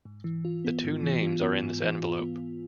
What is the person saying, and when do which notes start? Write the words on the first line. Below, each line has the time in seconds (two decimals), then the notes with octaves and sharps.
The two names are in this envelope.
0.05 G#2
0.24 E3
0.45 F4
0.65 B3
0.84 G#2
1.03 E3
1.23 F4
1.43 B3
1.63 G#2
1.83 E3
2.03 F4
2.21 B3